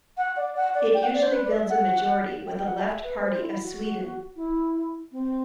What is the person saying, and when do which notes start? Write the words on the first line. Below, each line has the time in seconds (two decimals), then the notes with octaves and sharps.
It usually builds a majority with the Left Party of Sweden.
0.18 F#5
0.37 D5
0.56 F#5
0.75 D5
0.94 G5
1.03 F#5
1.13 D5
1.23 C5
1.32 B4
1.44 D5
1.51 E5
1.70 F#5
2.46 G5
2.65 F#5
2.85 E5
3.04 B4
3.23 C5
3.40 E4
3.60 F#4
4.36 E4
5.12 C4